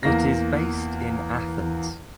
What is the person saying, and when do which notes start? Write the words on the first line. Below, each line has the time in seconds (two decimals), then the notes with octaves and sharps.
It is based in Athens.
0.03 E2 A#3 A#6